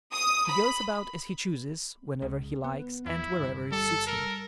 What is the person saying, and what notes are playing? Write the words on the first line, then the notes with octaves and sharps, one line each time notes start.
He goes about as he chooses, whenever he likes and wherever it suits him.
D#6
B5
C#2
B3
E2 E4
G1 G2
G3 A4
A#4